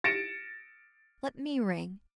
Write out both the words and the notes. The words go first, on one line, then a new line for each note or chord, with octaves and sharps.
Let me ring.'
A6 A#6 C#7 D7 E7